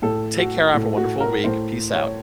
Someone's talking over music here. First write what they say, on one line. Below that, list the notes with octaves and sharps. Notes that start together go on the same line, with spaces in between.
Take care, have a wonderful week, peace out.
A2 A4
F#4
A2
F#4
A#4
A2 C5
C#5